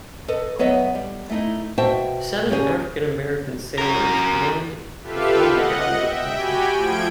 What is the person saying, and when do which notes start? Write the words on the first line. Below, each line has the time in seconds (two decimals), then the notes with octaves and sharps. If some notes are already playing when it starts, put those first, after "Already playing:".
Seven African-American sailors manned the forward gun of the vessel.
0.28 A4 B4 D#5
0.59 F#3 B3 B4 D#5 E5
0.95 G3
1.30 A3 D#4 E4
1.78 B2 F#4 C5 E5 G5 A5
2.49 D2 C#3 C#4 G4 G#4
3.78 F#4 A#4
5.03 F4 G4 A4 B4 E5 F5
5.45 D#5 F#5
5.97 E5 G5
6.32 F#4 G4 G5 G#5 B5
6.71 F3 A3 G5 G#6 D7